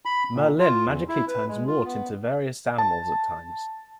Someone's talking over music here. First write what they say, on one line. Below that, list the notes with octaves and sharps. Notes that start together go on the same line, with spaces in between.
Merlyn magically turns Wart into various animals at times.
B5
A#2
F4
E2
E4
B4
G#3
F4
B3
A5